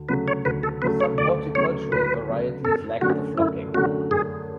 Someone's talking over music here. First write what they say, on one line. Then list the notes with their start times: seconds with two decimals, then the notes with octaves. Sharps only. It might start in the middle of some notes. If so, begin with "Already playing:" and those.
Some horticultural varieties lack the flocking.
Already playing: D2
0.09 C#3 F#3 A3 B4
0.28 C#5
0.45 D2 B4
0.63 A4
0.82 C#3 F#3 A3 B4
1.00 C#5
1.18 D2 D5
1.55 C#3 F#3 A3 C#5
1.91 D2 B4
2.28 C#3 F#3 A3
2.65 F#2 A4
3.01 D3 F#3 A3 C#4 F#4
3.38 F#2 E4
3.74 D3 F#3 A3 C#4 F#4
4.11 F#2 G#4